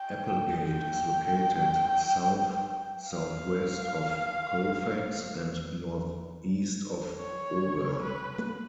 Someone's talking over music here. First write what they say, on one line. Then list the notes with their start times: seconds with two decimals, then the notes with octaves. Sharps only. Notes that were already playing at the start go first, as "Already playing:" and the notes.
Applegate is located south-southwest of Colfax, and northeast of Auburn.
Already playing: G5
0.63 G5
3.10 F5
7.20 C#5
8.02 B4